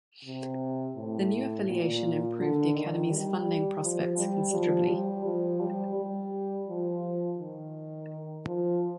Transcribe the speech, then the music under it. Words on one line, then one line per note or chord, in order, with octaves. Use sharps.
The new affiliation improved the Academy's funding prospects considerably.
C3
A2
A#2
D3
D#3
G3
F3
G3
F3
G3
F3
G3
G3
F3
D#3
F3